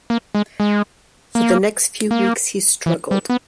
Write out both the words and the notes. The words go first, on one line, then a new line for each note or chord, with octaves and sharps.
For the next few weeks he struggled.
A#3
G#3
G#3
A#3
A#3
E3
G3
B3